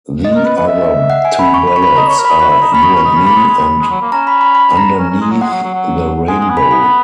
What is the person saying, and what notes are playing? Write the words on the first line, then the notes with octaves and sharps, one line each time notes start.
The other two ballads are "You and Me" and "Underneath the Rainbow".
D#5
A#4
B4
B4
E5
F#5
G#5
B5
C#6
B5
C#6
B5
D#5 A#5
C#5
C#6
A#4
G#4 B5
F#4 B5
E4
D#4 A#5
C#4 B5
D#4 C#6
C#4
C#6
D#4
C#4 B5
A#3 B5
G#3
G#3
G#3
G#3
F#3
A#3
C#4 A#5
B5
B5
B5
A#5
C#4
C#4
G#3
F#3
G#3 F#5
F#3
F#3
F#3
G#3 G#5
G#3
G#5
B3
B5
B3 B5